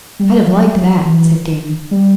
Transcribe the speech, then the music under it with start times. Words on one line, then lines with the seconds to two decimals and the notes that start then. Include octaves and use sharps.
'I'd have liked that!' said Dan.
0.19 G3
0.47 F#3
0.76 F#3
1.05 E3
1.91 G3